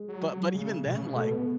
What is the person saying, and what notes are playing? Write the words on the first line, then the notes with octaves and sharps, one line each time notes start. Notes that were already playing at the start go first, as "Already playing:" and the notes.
but but even then, like
Already playing: G#3
F#3
C#3 G#3
B2
C#3
B2
A3
B3